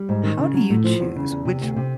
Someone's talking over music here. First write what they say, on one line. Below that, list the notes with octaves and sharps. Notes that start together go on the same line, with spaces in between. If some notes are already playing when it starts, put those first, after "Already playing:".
how do you choose which
Already playing: G3
G#2
D#3
C#3
F#3
A2
F3
E2
C#3
E2
C3
D2
C3